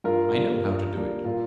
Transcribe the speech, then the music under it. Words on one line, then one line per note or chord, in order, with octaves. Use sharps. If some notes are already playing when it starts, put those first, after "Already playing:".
I know how to do it.
G2 F4 A#4
G3 A#3 D4
G2
G3 A#3 D4
A#2 F4 A#4